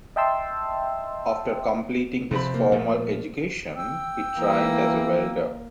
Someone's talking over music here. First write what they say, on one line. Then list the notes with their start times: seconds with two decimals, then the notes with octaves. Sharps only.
After completing his formal education, he trained as a welder.
0.16 D#5 E5 G5 A5 C6 E6
2.31 F2 C3 C4 B5
2.54 A#3
2.72 A#2 F3 A3
3.76 G5 E6
4.39 E3 A#3